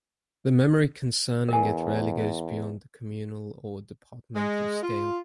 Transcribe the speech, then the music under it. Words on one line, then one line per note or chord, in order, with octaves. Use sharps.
The memory concerning it rarely goes beyond the communal or departmental scale.
E2 A#4 G#5
G#3
F4